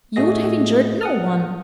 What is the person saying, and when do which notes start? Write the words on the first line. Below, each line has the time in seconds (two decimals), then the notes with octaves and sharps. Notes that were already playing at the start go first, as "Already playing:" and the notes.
You would have injured no one.'
0.16 A2 A3 F#4 G#4 D#5 A#6
1.01 F#5 D#6 F6